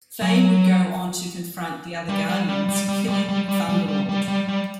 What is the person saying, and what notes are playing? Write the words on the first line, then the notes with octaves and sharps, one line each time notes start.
Fain would go on to confront the other Guardians, killing Thunderlord.
F#3
G3
G3
G3
G3
G3
G3
G3
G3
G3
G3
G3
G3
G3